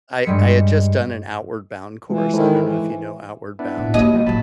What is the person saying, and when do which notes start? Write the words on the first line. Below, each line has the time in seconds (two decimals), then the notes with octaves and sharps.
I I had just done an Outward Bound course, I don't know if you know Outward Bound?
0.24 G2 G3 G#3 B6 C#7
2.10 E3 G#3 F4
2.34 D#3 G#3 E4 A4 C5
2.63 E3
3.59 B3 D4 E4
3.78 A2
3.94 G#3 A#3 F#4 G4 D#5
4.14 B2 F3 G3
4.27 A2 F#3 A3 A5 B5